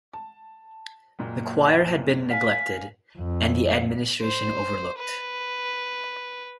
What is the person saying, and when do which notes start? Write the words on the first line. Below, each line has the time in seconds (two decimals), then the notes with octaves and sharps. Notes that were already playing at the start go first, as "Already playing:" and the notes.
The choir had been neglected and the administration overlooked.
0.14 A5
1.19 F#1 A#2
2.31 F5 G#5 B6
3.19 F2
4.22 C5
4.98 B4